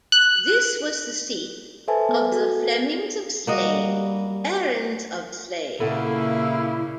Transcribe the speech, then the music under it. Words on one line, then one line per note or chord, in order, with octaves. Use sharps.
This was the seat of the Flemings of Slane, barons of Slane.
F#6
A4 B4 C5 E5 G#5 A5
B3 B4
F#4 A4
G3 A#3 F#4 D#5
A#2 C#3 A#3 E4 A4 F#5